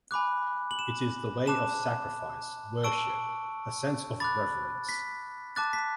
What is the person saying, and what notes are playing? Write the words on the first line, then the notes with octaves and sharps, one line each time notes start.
It is the way of sacrifice, worship, a sense of reverence.
G#5 B5 D6 F#6
F#7
E7
A5 D6 F#6 E7
A5 C#6 E6 D7
B5 D6 F#6 A6
B6
A5 D6 F#6 A6
B6